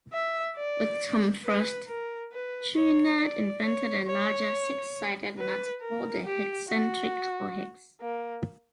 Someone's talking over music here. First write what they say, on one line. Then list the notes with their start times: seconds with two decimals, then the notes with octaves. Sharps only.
With Tom Frost, Chouinard invented a larger, six-sided nut called a Hexentric or hex.
0.13 E5
0.56 D5
1.44 B4
1.87 A#4
2.32 B4
2.76 C#5
3.20 D5
3.63 C#5
4.07 C#5
5.38 B4
5.81 A#4
6.25 G4
6.69 F#4
8.01 A#3